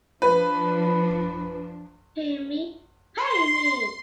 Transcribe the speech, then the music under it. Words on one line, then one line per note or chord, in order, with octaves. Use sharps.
Pin Me, Pay Me!
F3 D4 B4
C6